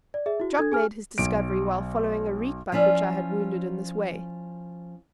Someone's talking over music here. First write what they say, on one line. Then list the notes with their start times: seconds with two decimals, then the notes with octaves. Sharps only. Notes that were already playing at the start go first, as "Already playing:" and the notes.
Jock made his discovery while following a rietbuck which I had wounded in this way.
0.14 D5
0.26 G#4 E5
0.40 E4 F#4
0.58 D4 A4 G#6
0.72 G#4 G#5 F6
1.18 B1 D7
2.72 F3 C#4 E4 D5